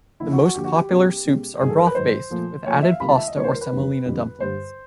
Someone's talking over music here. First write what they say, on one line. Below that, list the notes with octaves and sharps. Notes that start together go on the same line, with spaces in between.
The most popular soups are broth based, with added pasta or semolina dumplings.
D#2 D3 F3 E4
F#4
F#4
D#2 D3 F3 G4
F#4
G4
B2 G#3 C#4
B2 G#3 C#4
G#2 D#3 F#3 G#4
A4
A#4
B4
G#2 D#3 F#3 C5
A#2 F3 A3
A#2 F3 A3 C#5
E5
F5
C#2 C3 D#3 G3 A#3 B5
A5
E5
D#5
C#2 C3 D#3 G3 A#3 C#5
C5
A#4
B4
F2 D3 G3 C4
F2 D3 G3 C4
G2 D3 G3 C5